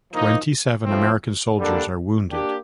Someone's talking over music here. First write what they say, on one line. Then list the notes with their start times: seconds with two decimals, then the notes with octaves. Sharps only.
Twenty-seven American soldiers are wounded.
0.11 F3 A#3 D#4
0.85 A2 F3 C4
1.58 D3 G3 A#3 D4 A4
2.30 A#3 D4 G4